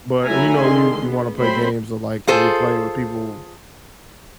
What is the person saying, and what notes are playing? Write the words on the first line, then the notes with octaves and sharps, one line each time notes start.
But you know, you you wanna play games or like, and you're playing with people
F#3 A3 E4 E5 G#5 A#5
D3 D#3 G#4 C6
B3
F#3 A3 C4 C5 B5 C6
F4 G#4 A4 C5